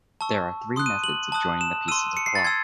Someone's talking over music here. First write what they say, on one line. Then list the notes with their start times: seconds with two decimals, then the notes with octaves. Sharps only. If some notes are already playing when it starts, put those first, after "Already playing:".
There are three methods of joining the pieces of cloth.
0.21 A5 C#6 E6
0.76 C6 D#6 F#6
0.86 D#7
1.04 F#7
1.32 A5 D#6 F#6
1.61 E7
1.88 C6 E6 D#7
2.17 C#7
2.26 C7
2.35 A6
2.44 C6 E6 G#6